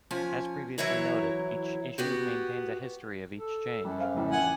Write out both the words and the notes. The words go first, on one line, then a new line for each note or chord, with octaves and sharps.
As previously noted, each issue maintains a history of each change.
F3 C#4 G#5
E3 F#3 E4 C#5 A#5
B3 F#4 G4
A4
F#2 G3
C5 F5
G1 A2 G3
A#1 F#5 G#5